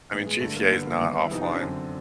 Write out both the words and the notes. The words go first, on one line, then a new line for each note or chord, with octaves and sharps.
I mean, GTA is not offline.
A2 E3 B3
G#3
G2 D3 A3
A#3
G2 D3 B3
A#3
G2 D#3 B3
E4
F2 C3 E3 D#4
D4
C#4
F#2 D3 C4